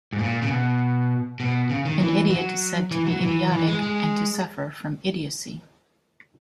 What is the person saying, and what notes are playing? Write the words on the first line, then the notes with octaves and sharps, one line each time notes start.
An idiot is said to be idiotic, and to suffer from idiocy.
G#2
A#2
C#3
B2
B2
C#3
D#3
E3
F#3
E3
F#3
E3
E3
G#3
G#3